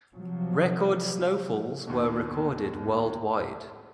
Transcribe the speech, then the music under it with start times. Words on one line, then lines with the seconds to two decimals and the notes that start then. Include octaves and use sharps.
Record snowfalls were recorded worldwide.
0.15 C3 F3 F#3
1.87 D#2 B2